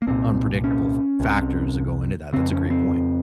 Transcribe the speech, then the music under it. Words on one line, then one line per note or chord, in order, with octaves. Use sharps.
unpredictable f factors that go into that, that's a great point.
A#3
C2 A#2 C4
C#4
C2 C3
F2 C#3 C4
C#4
C4